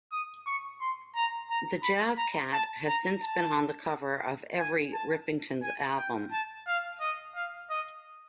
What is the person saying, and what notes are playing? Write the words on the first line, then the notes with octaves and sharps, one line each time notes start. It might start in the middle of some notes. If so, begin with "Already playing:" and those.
The Jazz Cat has since been on the cover of every Rippingtons album.
D#6
C#6
C6
A#5
A#5
B5
A#5
A5
A#5
A5
G#5
A5
G#5
G5
A5
F5
D#5
F5
D#5